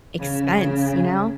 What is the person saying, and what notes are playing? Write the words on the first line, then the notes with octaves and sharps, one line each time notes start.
expense, you know?
C#3
C#3